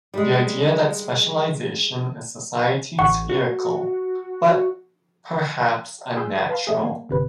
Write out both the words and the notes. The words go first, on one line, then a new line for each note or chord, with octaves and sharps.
The idea that specialization is society's vehicle, but perhaps unnatural.
G3 G#3
A1 F#5 C#6
F#4
G#4 G5 B5 C6 E6 G6
B4 F5 A5 B5 C6
G#3 A3 G#4
A#3
G1 C3 B4